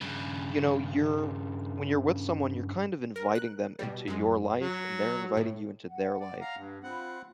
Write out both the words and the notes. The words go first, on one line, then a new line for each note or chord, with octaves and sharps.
y you know, you're when you're with someone, you're kind of inviting them into your life, and they're inviting you into their life,
G2 C#3
A#4
F#6
B2 G3
F#2 G#3
F#3
A2
F#5
D5
F5 A#5
G2
C4 F4 F#5 B5